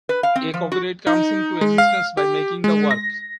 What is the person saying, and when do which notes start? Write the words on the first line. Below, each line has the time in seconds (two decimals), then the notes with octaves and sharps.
A copyright comes into existence by making the work.
0.09 B4
0.23 F5
0.35 C4
0.54 F3
0.72 F#4
1.07 D#4
1.61 G#3
1.78 F5
2.17 G4
2.64 G#3
2.91 A#6